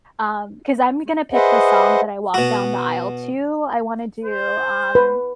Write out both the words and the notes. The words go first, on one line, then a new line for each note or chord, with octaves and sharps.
Um, 'cause I'm gonna pick the song that I walk down the aisle to. I wanna do, um
G#4 B4 C5 D#5 E5 F#5
B2 F#4
C5
B4